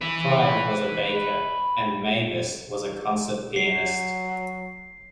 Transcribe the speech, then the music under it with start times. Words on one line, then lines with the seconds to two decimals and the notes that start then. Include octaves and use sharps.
Clive was a baker and Mavis was a concert pianist.
0.01 B4 E5
3.56 F#3 C7